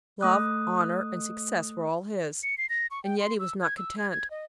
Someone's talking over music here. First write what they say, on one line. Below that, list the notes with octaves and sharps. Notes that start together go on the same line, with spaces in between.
Love, honour, and success were all his, and yet he was not content.
A3 D#6 F#6
C#7
C7
A#6
C#6
G5
C6
E6
G#6
E6
G#6
G#6
D#5